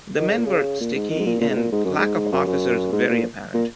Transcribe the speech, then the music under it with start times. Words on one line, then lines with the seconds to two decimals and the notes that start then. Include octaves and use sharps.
The men were sticky and lack of officers very apparent.
0.20 D#3
0.28 C#3
0.37 A#2
0.46 C#3
0.81 A#2
0.95 G#2
1.10 D#3
1.19 G#2
1.26 A#2
1.41 A#2
1.50 G#2
1.56 A#2
1.72 G#2
1.85 F#2
1.98 G#2
2.32 F#2
2.47 F#2
2.92 G#2
3.09 A#2
3.54 A#2